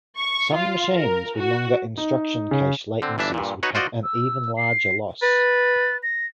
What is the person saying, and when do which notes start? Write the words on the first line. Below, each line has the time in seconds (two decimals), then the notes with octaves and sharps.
Some machines with longer instruction cache latencies would have an even larger loss.
0.19 C#6
0.54 F4
0.94 A#4
1.39 F#4
1.98 D#4
2.51 C#3
3.02 D3 C4
3.18 G1 E3 D4 E5
3.34 G2 A#2
3.63 D#4 F#4 B4 C#5
3.75 F4 F#4 C5 D5 D#5
4.04 E6
4.57 C7
5.22 B4 A6
6.03 A#6